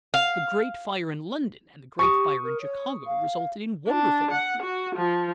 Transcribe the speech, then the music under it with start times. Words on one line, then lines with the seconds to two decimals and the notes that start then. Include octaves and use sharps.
The great fire in London and the great fire in Chicago resulted in wonderful improvement.
0.14 F5
1.99 G4 C#6 D#6
2.43 A#4
2.61 C#5
3.06 F5
3.88 D4
4.30 F#5
4.62 F#4
4.95 F3